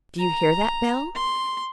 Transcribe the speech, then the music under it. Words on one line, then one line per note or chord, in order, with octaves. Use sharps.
Do you hear that, Bell?
A#5
C6